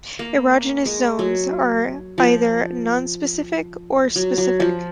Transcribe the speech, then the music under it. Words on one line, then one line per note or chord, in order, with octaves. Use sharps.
Erogenous zones are either nonspecific or specific.
A#3
G#3
F#3
F3
F#3
F#3
F3